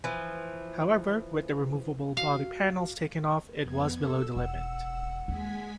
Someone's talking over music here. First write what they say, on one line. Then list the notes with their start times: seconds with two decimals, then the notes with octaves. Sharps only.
However, with the removable body panels taken-off it was below the limit.
0.04 E3 F3
2.17 F#4 F5
3.61 F2 B3 G#6
4.00 A4 E6
4.36 E1 F#5
5.28 D#2 G#3 G#5 B6